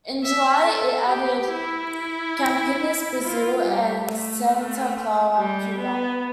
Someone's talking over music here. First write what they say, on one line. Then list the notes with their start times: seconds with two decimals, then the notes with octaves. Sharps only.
In July, it added Campinas, Brazil; and Santa Clara, Cuba.
0.25 E5
0.67 A4
1.09 G4
1.52 E4
3.23 F4
3.66 G3
4.08 A3
5.37 G3
5.79 B3